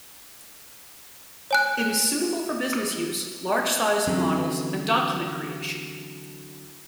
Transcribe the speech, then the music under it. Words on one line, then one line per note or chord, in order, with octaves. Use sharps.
It is suitable for business use, large-sized models, and document creation.
C#5 G#5 F#6
D3 E3 F#3 C4 C#4